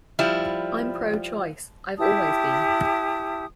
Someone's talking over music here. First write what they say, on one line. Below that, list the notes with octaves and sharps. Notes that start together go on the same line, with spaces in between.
I'm pro-choice; I've always been.
F3 G3 E4
E4 G4 A5 D#6